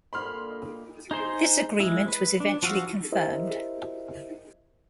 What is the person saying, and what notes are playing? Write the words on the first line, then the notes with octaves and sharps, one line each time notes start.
This agreement was eventually confirmed.
A#2 D3 G3 B5 C6 F6
D#5
D#4 G#4 C5 C6
G#3 E4
B4
D4
F3 F#4 F5 E6
E4 G4 A#4 C5 D#5 E5